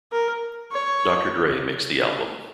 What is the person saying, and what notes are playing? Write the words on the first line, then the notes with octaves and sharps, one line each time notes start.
Doctor Dre mixed the album.
A#4
C#5